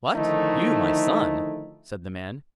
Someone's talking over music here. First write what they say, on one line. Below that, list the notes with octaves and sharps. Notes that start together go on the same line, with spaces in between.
'What, you my son!' said the man.
D3 D#3 F3 A3 D#4 E4